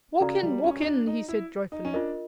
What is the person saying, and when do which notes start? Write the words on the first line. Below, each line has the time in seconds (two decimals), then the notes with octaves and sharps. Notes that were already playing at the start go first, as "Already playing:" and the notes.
"Walk in, walk in," he said joyfully.
0.20 C#3 F#4 A4 D5 F5 A#5
0.43 G3
0.64 C#4
0.81 D#4
0.86 D4
1.07 D#4
1.29 E4
1.72 D#4
1.85 C#4
1.93 D4 F4 A#4 D#5